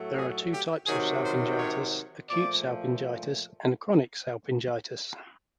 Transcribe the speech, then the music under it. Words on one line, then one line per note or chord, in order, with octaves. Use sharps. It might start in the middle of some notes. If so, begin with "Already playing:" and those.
There are two types of salpingitis: acute salpingitis and chronic salpingitis.
Already playing: A2 F#3 A3
G#4
G4
C3 D#3 F#3 G#4
C5
C#5
A#2 F3 A3 D5